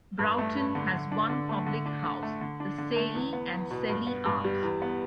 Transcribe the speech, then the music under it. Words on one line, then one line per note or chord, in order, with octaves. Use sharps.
Broughton has one public house, the Saye and Sele Arms.
G2
A3
G2
D3
D3
D4
D3
A3
D3
D4
D3
A3
D3
D4
D3
A3
E2
B3
E2
B2
G2
B3
G2
G3
E2
B3